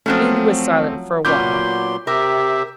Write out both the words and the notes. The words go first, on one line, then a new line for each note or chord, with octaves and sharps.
Davie was silent for a while.
F3 F#3 A3 C4 C#4
A#2 F#3 B3 C#4 C6 D6 G6
C3 G4 A#4 E5